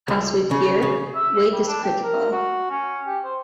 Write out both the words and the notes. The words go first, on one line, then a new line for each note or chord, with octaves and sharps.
As with gear, weight is critical.
C#2
C#3
C#3
E5
G3
D4
G4
A#4
F#4
C#4
G4
C5